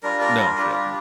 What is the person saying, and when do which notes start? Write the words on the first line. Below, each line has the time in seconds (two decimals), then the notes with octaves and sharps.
No, she doesn't. She
0.03 G3 D4 F4 A#4
0.21 A#4
0.40 A#4
0.57 G3 D4 F4 G4
0.75 G4